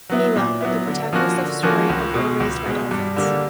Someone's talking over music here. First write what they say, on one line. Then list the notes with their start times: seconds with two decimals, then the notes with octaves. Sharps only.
Mila: The protagonist of the story, a girl raised by dolphins.
0.10 F#3 B3 E4
0.36 A#2
0.61 F#3 B3 E4
0.87 D3
1.13 F3 A#3 C#4 F#4
1.38 D3
1.63 F3 A#3 C#4 F#4
1.89 C#2
2.14 B2 G#3
2.40 C#2
2.66 B2 G#3
2.91 G2
3.16 D3 G3 A#3